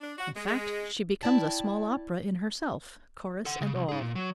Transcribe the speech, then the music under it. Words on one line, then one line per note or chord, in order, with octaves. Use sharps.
In fact she becomes a small opera in herself, chorus and all.
D4
F#4
G#3
G#3
E4 D5 G5 A5
A4 F#5
C#3
C2
D#4 G#4
A#2
F#3